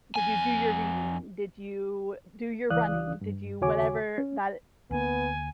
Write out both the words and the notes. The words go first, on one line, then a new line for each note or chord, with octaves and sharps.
did you do your reading? Did you do your running? Did you" whatever, that
F2 G#5
C#2 E3 D5 F5 D#6 F#6
G2
D#2 C#3 F#4 C#5 G#5 D6
C#4
D2 D3 A#3 B3 G#5